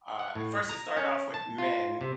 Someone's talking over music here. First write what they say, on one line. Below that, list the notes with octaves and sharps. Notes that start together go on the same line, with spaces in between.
uh at first it started off with men
F#5
A2
A#5
C#4
A5
F4
C3